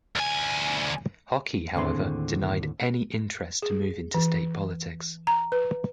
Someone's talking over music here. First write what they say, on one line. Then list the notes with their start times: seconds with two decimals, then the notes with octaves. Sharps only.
Hockey, however, denied any interest to move into state politics.
0.16 D2 G#5
1.75 D#2 A2 D3 C4 G#4 C6
3.62 G#4
4.14 E3
5.27 A#5
5.52 B4